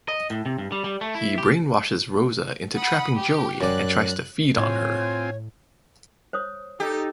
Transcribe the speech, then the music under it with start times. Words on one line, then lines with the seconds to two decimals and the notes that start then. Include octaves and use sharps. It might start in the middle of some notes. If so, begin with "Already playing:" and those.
He brainwashes Rosa into trapping Joey and tries to feed on her.
0.08 D#5
0.30 A2
0.46 C3
0.58 G2
0.72 G3
0.84 G3
1.01 A3
1.15 E4
1.38 G4
2.76 F#5 B5 D#6
3.16 G4
3.61 F#2 D5 F#6
4.58 A2 C4 F4 C#5 G#5
6.33 C5 C#5 D#6
6.80 D#4 G4 A4